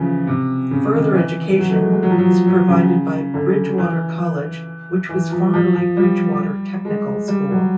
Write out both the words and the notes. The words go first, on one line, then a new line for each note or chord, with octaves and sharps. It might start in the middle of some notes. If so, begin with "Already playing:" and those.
Further Education is provided by Bridgwater College which was formerly Bridgwater Technical School.
Already playing: C#3 E3 F3
C3
C#3
D#3
E3
F#3
A3
G#3
G#3
F#3
F3
F#3
F#3
C#3
D3
E3
E3
F3
F3
F3
G3
G#3
G3
F#3